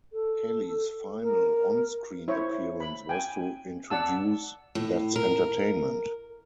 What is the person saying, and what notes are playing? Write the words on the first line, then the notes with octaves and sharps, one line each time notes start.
Kelly's final on-screen appearance was to introduce That's Entertainment!
A4
A#4
E4 C5 C#5
B5
G5 G#5
D5 F#5 A5 E6
A2
A#4